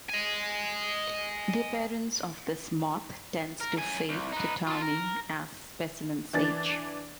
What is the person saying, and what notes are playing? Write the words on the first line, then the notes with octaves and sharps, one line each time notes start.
The appearance of this moth tends to fade to tawny as specimens age.
D#5 G#5
A#4
F#2 G#5
C2
D#4 B4
F4 A4
A#4
E3 D4 A6